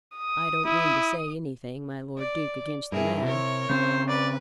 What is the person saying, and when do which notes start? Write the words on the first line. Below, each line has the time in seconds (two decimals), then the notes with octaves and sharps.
I don't mean to say anything, my Lord Duke, against the man.
0.18 D#6
0.66 E4
2.18 D5
2.92 G2 E4 G#4 A#4
3.24 C3 A#4 C#5
3.69 C#3 B3 C4 C5
4.08 B4 D5